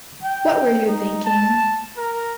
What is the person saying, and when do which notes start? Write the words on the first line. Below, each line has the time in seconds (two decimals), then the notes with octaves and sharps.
What were you thinking?
0.23 G5
0.87 D#4
1.25 A5
1.97 A#4